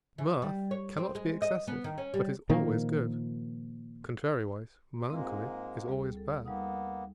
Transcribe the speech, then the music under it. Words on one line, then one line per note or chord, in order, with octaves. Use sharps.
Mirth cannot be excessive, but is always good; contrariwise, Melancholy is always bad.
E3
G3
C#5
C4
G#3
D#5
B3
D#3
C#4
G3
A#2 D#3 F3 A#3
G#2 G#3 A#3 C4 F4 G#4
D2 G3 G#4
A4
G3 A#3 B3 D#4 D#6